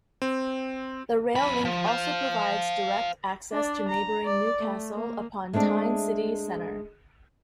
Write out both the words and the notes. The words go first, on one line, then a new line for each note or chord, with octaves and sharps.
The rail link also provides direct access to neighbouring Newcastle upon Tyne city centre.
C4
F2 B5
F3
C5 F5
D4 D5
A#5
D5
A3
A#3
G#3 A3 C4 D4